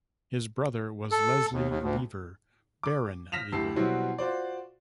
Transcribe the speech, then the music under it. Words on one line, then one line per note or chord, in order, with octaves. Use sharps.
His brother was Leslie Lever, Baron Lever.
A4
D#2
D#2
D2
D6
F6 A#6 B6 E7 F7
D2 A2 G4 A5 E6 C7
B2 F#3 G3 C4 E4 F#4
F4 F#4 C5 D5